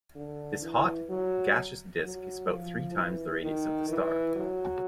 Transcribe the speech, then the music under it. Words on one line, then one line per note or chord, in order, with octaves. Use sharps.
This hot, gaseous disk is about three times the radius of the star.
D3
E3
F#3
F#3
F3
E3
D#3
E3
F#3